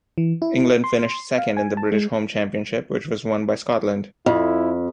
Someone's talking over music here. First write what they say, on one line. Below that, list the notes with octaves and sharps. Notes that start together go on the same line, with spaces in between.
England finished second in the British Home Championship, which was won by Scotland.
E3
E4
C6
F5
G#5
A5
G#3
F2 E4